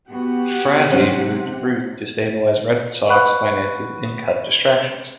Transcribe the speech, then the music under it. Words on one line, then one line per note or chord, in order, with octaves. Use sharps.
Frazee moved Ruth to stabilize Red Sox finances and cut distractions.
B3 F#4 G4 F#5
C3 F#3 C4 C#4
B4 F#5 B5 C#6 F#6